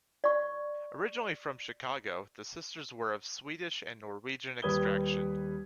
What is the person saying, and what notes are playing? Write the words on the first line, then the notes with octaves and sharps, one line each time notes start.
Originally from Chicago, the sisters were of Swedish and Norwegian extraction.
D5 C#6
D#2 G3 B4 D#6 G#6 G7